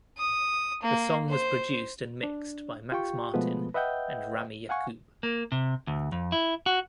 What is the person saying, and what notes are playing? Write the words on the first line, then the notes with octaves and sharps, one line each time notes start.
The song was produced and mixed by Max Martin and Rami Yacoub.
D#6
A#3
C5
D4
F4 G4 G5 C#6
B2 F3 G#3 A3 B3 B4
B4 D#5 E5 F#5 G5 G6
F5 F#5 G#5 C#6
A#3
C3
D2
F2
E4
F#4